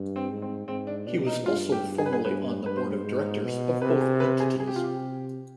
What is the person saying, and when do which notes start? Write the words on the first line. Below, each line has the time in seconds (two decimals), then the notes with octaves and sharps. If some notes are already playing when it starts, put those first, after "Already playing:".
He was also formerly on the Board of Directors of both entities.
Already playing: G2
0.16 C4
0.29 G#2
0.42 C4
0.67 G#2 C4
0.87 D4
1.07 B2 D4
1.26 D#4
1.46 G2 F4
1.72 G4
1.98 G#4
2.06 B4
2.13 G#4
2.25 G2 B4
2.64 G2 B4
2.77 C5
3.03 G#2
3.42 B2
3.81 C3 B4
4.01 G#4
4.20 B4
4.40 G#4
4.60 C3 G#4
4.67 G4
4.76 F4
4.84 G4